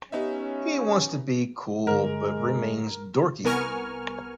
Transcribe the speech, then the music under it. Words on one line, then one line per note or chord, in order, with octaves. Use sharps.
He wants to be cool, but remains dorky.
B3 C#4 D#4 G4 D#5 E5
G2 D3 G#3 A#4
C2 B3 A#4 G#5 C#6 F6